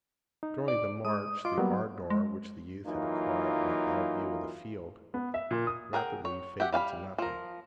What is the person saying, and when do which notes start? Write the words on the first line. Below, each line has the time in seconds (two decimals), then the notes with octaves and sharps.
During the march the ardor which the youth had acquired when out of view of the field rapidly faded to nothing.
0.43 D#4
0.68 D5
1.05 G#3 D#6
1.45 F4 D#5 C6 D6
1.58 F#3 G3 A#3 B3
2.10 G#3
2.87 E3 F#3 A#3 D#4 F4
5.14 B3
5.34 E5
5.51 A#2
5.67 D#6
5.93 G#4 A#4 F#5 G5
6.25 C#5
6.60 G4 E5 F#5
6.72 G3 F5 G5 B5
7.18 F3 A#4